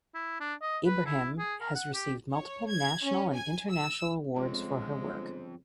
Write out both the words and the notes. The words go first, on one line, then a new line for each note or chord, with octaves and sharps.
Ebrahim has received multiple national and international awards for her work.
E4
D4
D#5
B4
E4
G#4
A#4
F#5
G4
C#5
G#6
C#4
G#5
E6
G1 F2 C#3 F3 G#3 C4